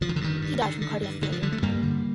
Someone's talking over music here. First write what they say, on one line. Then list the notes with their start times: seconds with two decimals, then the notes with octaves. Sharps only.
He died from a cardiac failure.
0.01 D3 F3
0.09 D#3
0.16 D3
0.21 G2 D#3
0.42 G2
0.62 D3
0.81 D3
1.02 G2
1.22 D3 D#3
1.32 F3
1.42 D3 G3
1.52 A3
1.62 G2 G3 A#3
1.83 D3